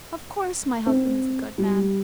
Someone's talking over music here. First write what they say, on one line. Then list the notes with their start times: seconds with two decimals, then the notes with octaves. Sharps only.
Of course, my husband is a good man.
0.86 C4
1.58 G3